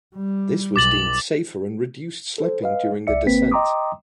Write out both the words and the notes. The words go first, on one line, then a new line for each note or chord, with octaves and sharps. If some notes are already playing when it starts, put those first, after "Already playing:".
This was deemed safer and reduced slipping during the descent.
G3
B1 D6 A6 F#7
A4 C5
B4 D#5 F5
C2 D5 E5 C#7
G#1 A#3 C4 B4 B6
D#5 G5 A#5 C6 D6 D#6